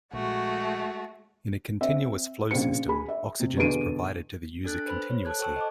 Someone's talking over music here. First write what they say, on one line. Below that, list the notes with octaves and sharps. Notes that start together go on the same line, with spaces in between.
In a "continuous-flow system", oxygen is provided to the user continuously.
A#1 G#3 A3 F#4
C4 E5
A#1 C#3 C4 C5 C#7
G#4 B5
E5
C3
E2 B2 D3 G#4 D7 D#7
D4 A4 F#6 A6
B4 C5 B5
C#5
A4 A5 F#6 G#6
A4 C5 G5 A5 C#6 E6
D#5 A5 D6